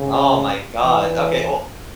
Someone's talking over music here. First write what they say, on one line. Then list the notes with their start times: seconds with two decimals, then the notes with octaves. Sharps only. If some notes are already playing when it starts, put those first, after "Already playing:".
Oh my God. Okay, well eh,
Already playing: C#3
0.83 E3